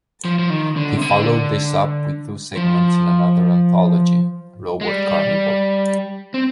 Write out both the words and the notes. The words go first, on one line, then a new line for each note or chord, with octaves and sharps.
He followed this up with two segments in another anthology, "Robot Carnival".
F3
F3
D#3
D3
C3
D3
F3
G#3
G3
C4